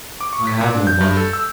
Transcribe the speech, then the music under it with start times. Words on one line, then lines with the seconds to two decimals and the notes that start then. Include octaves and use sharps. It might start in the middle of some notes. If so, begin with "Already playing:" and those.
"I have no money."
0.21 D6
0.33 C#6
0.47 B6
0.61 A#2
0.75 D4
0.87 G6
1.01 G2
1.17 A4
1.33 E6